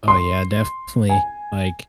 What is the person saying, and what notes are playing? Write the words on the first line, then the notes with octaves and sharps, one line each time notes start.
Oh, yeah, definitely. Like,
C6
G#5